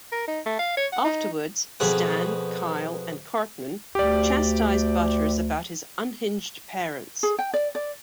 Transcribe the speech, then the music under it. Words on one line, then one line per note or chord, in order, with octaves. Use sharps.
Afterwards, Stan, Kyle and Cartman chastise Butters about his unhinged parents.
A#4
D#4
A3
F5
C#5
F#5
D#4
F2 B2 G#4 F#5
D2 G4 D5
G#4
G5
D5
D5